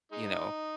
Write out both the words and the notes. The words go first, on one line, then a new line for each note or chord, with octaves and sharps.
you know
G#3 D#4